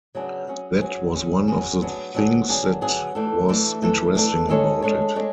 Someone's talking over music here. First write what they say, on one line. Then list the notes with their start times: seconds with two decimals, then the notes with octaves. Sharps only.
That was one of the things that was interesting about it.
0.15 C#3 F#3 B3 D4 G#4
0.47 F#3 C#4 G#4
0.81 F#3 C#4 G#4
1.14 F#3 C#4 G#4
1.48 F#3 C#4 G#4
1.81 F#3 B3 D4 G#4
2.14 F#3 B3 D4 G#4
2.48 F#3 B3 D4 G#4
2.81 F#3 B3 D4 G#4
3.15 E3 A3 D4 A4
3.49 E3 A3 D4 A4
3.82 E3 A3 D4 A4
4.15 E3 A3 D4 A4
4.49 G#3 D4 A4 C#5
4.82 G#3 D4 A4 C#5
5.16 G#3 D4 A4 C#5